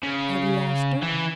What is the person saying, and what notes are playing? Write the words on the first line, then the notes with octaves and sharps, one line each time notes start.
"Have you asked her?"
C#3
E3